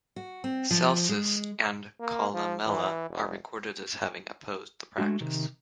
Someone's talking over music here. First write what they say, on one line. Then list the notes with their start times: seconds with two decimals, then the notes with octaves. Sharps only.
Celsus and Columella are recorded as having opposed the practice.
0.16 F#4
0.44 C4
0.71 F3
1.09 G#3
2.00 A#3
2.34 F3
2.66 E3
3.09 F1
4.98 G#3 A3 D4 F#4
5.20 C3 D#3